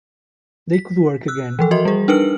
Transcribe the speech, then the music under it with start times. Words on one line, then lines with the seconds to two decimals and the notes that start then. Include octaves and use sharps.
They could work again.
0.73 B6
1.28 E6 F#6
1.59 E3 F3 A4
1.71 F#4 A#4 D#5 E5 C6
1.85 G3 G#4
2.08 D4 D#4 A#4 B4 F6 F#7